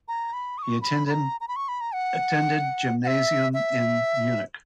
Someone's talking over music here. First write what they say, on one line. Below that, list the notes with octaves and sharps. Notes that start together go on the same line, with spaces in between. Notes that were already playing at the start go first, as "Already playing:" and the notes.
He attended Gymnasium in Munich.
A#5
B5
D#6
C#6
B5
B5
A#5
A#5
B5
C#6
B5
A#5
F#5
F#5
E5
E5